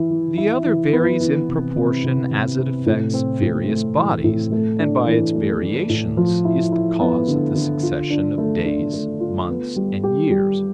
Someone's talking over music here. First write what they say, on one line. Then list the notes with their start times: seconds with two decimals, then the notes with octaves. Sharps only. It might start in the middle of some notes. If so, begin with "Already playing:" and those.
The other varies in proportion as it affects various bodies, and by its variations is the cause of the succession of days, months, and years.
Already playing: E3 E4
0.10 E3
0.38 E4
0.65 E3
0.93 B3
1.21 E3
1.48 C3
1.76 C3
2.04 C3
2.31 C3
2.58 C3
2.86 A2
3.14 C4
3.41 A2
3.69 A3
3.97 E3
4.24 A2
4.52 A3
4.80 D4
5.06 E3
5.35 A3
5.62 A3
5.89 A2
6.17 F3
6.45 E4
6.72 E4
7.00 B3
7.28 D3
7.55 D3
7.83 F4
8.10 D4
8.38 A3
8.66 D4
8.93 A3
9.20 F4
9.49 B3
9.76 G3
10.04 G4
10.31 G3